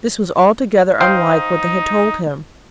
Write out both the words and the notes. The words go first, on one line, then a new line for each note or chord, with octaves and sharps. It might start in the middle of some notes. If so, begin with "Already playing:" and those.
This was altogether unlike what they had told him.
D#4 C5 F5 G5